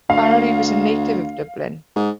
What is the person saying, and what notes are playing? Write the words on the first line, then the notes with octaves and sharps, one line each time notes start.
Farrelly was a native of Dublin.
D2 F5
G#2